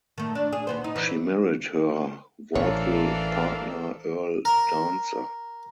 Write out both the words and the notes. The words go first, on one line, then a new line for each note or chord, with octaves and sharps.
She married her vaudeville partner Earl Dancer.
D#3 A3
D4
G#4
D#2 B3 C5
D#4
E3
A1 E3 D4 A4 A#4 C5 C#5 F5
A#4